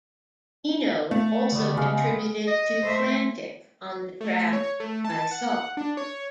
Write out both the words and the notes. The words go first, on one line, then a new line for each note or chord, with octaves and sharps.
Eno also contributed to "Frantic" on the track "I Thought".
A3
D3 G3 B3
C#3 G#3 G#4 F5
D#5
A3 C5 E5
A3
C#5
A3
A5
F#5
D4
C#5